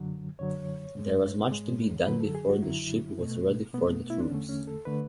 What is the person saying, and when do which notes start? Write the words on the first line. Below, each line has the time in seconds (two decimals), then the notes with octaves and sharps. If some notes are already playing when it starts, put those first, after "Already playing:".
There was much to be done before the ship was ready for the troops.
Already playing: F#2 D3 F#3
0.39 F#2 D3 F#3 C#5
0.95 G#2 G#3
1.51 G#2 G#3
2.07 F#2 D3 F#3 B4
2.21 A4
2.35 G#4
2.49 F#4
2.62 F#2 D3 F#3 E4
3.18 B2 A3
3.74 B2 A3 B3
4.10 E4
4.20 D4
4.30 E2 D3 A3 C#4
4.49 C#4
4.67 A4
4.85 D3 A3 B4